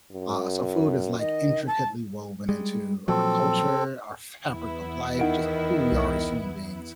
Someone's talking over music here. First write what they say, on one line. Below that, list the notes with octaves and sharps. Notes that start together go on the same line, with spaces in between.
uh, so food is, like, intricately woven into our culture, our fabric of life, just who we are as human beings,
F#2
D#3 D#5
A5
G3 G#3
A#2 F3 F#3 C4 A4
E2 B3 E4
D#3 D#4 F#5 D7
C2